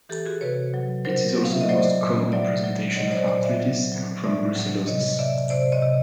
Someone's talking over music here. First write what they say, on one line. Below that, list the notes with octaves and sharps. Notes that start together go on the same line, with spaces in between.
It is also the most common presentation of arthritis from brucellosis.
E3 G4 A4
F#4 G#4
C3 B4 C#5
F#3
F#3 A#4 C5
F#3
F5
E5
D#5
F#3 C5 D5
A#2
F#3 D5 E5
F#3
F#3 C#5 D#5
C5 D5
A#2 C5 D5
D5 E5
F#3
F#3
A2 D5 E5
F#3
C3 C#5 D#5
C3 D5 E5
C3 C5 D5
C#5 D#5
C3